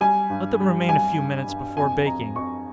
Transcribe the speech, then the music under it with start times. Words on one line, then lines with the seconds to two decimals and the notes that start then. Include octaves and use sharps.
Let them remain a few minutes before baking.
0.01 G3 G#5
0.30 G2
0.60 G3
0.88 G3 G#5
1.18 G2
1.48 G2
1.77 F2 G#5
2.06 F2 A#5
2.36 F2 C#6